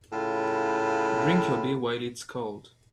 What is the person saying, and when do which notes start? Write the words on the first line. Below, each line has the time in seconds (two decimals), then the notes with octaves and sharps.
Drink your beer while it's cold.
0.12 A2 C#3 F4 B5